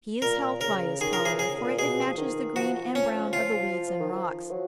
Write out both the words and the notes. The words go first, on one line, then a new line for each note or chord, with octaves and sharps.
He is helped by his colour, for it matches the green and brown of the weeds and rocks.
A#2 A#4
C#3 A#4
D#3 G#4
A#4
F3
G#4
C#3 G#4
A#2
B2 G#4
F3
D#3
F3 F#4
C#4
F4
D#3
F3
F#3